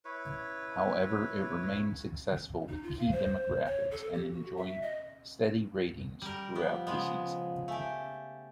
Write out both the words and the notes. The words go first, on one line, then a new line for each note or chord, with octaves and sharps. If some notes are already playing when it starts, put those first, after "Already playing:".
However, it remained successful with key demographics and enjoyed steady ratings throughout the season.
E4 B4 C#5
D#4
F4
F5
C5
C#5
A4
G4
F#4
E5
D#5
G3 A#4
F3 B3
C#3 G#3 B3 D#5 B5 C6
A3 G4 F5 G#5